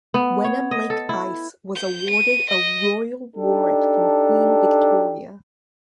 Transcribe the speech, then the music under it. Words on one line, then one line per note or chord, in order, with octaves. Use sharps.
Wenham-lake ice was awarded a royal warrant from Queen Victoria.
B3
C#5
D#5
A4
E4
G6
D#7
D#5
D4 D#4 G4 A4